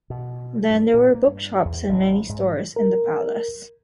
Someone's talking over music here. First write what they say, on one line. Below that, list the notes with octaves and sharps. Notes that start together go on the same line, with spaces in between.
Then there were bookshops and many stores in the palace.
B2
G2
A#2
A#3
G2
E2
A1
G#2
A#4